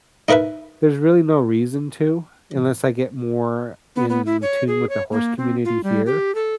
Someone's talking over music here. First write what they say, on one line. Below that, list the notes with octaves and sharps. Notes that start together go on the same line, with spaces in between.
there's really no reason to, unless I get more in tune with the horse community here.
D#4 E4 A#4 B4 E5
B3
B3
E4
C#5
G#4
C#5
A#3
C4
F4
G3
G4
A4